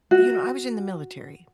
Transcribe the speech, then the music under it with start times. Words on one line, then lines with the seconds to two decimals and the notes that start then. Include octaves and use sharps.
you know, I was in the military
0.11 F#4